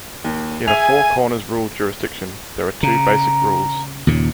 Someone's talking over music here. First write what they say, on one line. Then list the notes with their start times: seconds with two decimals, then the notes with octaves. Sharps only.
In a Four Corners Rule jurisdiction, there are two basic rules.
0.24 D#2
0.67 G#4 E5 G#5 F7
2.83 C#3 A#5
4.07 D#2 A#2 C#3